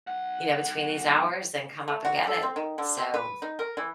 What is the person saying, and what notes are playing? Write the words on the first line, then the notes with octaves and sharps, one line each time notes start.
You know, between these hours and come up and get it. So,
B1 F#5
A3
F#4
A4
C4
D#3
D3
C4
B4
D#4
A#4
E3